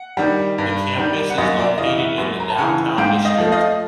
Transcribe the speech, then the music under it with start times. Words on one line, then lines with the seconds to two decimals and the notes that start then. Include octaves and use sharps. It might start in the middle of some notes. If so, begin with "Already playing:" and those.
The campus is located in the downtown district.
Already playing: F#5
0.17 D#3 G3
0.58 G2
0.98 D#3 G3
1.30 F#5
1.38 F#2 D#5 F5
1.59 D5 E5
1.78 C#3 E3 D#5 F5
1.98 E5 F#5
2.18 F#2
2.40 A#5
2.50 A5
2.58 C#3 E3 F#5 G#5
2.98 G#2 F5 G5
3.25 D#5 F5
3.38 F3 A3
3.52 D#5 F5